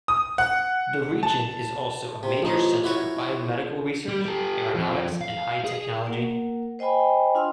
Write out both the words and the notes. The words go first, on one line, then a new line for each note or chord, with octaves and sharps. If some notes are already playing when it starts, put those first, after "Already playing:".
The region is also a major center of biomedical research, aeronautics, and high technology.
D#6
F#5
A5
C3
A1 F3 D#4
E4 F#4 C#5
G3
G4 A4
F2 F3
F5
G#4
A#3 A#4 F#5
C5 D#5 G5 G#5 B5
D4 F4 F5 C6 E6